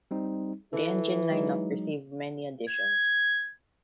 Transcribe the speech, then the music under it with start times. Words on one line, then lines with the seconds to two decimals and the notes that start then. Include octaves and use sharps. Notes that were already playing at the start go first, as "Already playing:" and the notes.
The engine lineup received many additions.
0.11 G3 C4 D#4
0.73 E3 A4 B4
1.30 F#3 G#3 D#4
2.69 G#6